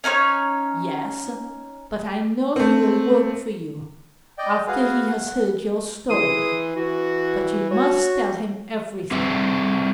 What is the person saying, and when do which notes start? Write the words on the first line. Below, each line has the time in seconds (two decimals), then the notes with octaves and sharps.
"Yes, but I know he will work for you--after he has heard your story. But you must tell him everything."
0.04 C#4 D#4 B4 C#5
2.56 A3 C4
4.38 D5 D#5 G5
4.67 F#4 G#4 B4 F5
5.07 F#5
6.10 E3 G#4 C6 D#6
6.76 E3 F#4
7.71 F#4 C#5
9.11 G3 C4 G#4 E5